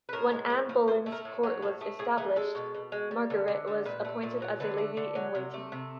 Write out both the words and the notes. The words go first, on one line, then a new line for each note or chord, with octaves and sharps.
When Anne Boleyn's court was established, Margaret was appointed as a lady-in-waiting.
B4
A2 A#4
G#3
A2
F3
A2 C5
A3
A#4
A2
F#3
A2 A4
A3 G#4
A2 G#4
E3 G#4
G#3 A4
B2
B2
G#3
G3
D3
D3
G3
A#2 B4
A3
A#2
F#3
D3 B4
A3
D3
F#3
C3 A#4
A3
C3